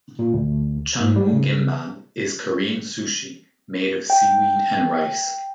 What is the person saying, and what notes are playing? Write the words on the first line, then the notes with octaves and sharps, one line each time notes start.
Chungmu gimbab is Korean sushi made of seaweed and rice.
A#2
D2
G#2
G3
C#3
G5